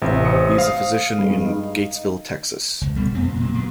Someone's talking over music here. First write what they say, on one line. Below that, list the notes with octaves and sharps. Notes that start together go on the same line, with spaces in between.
He is a physician in Gatesville, Texas.
A1 C3
C5 D#6 C#7
F5
G2 G#3
D#4
C#2
B2 G3 A3
F2 B3 C4
D2 A#2
A#2 F#3 A#3
D2 G2 A#2